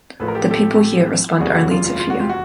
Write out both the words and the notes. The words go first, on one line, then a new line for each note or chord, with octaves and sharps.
The people here respond only to fear.
A1 A2 F3 A4 B4
A#4
G4 A4
G4 A4
F1 D#2 C#3 E3 G3 F#4 G#4
F#4
F4
F4
F4
F#4
F4 G4
F#4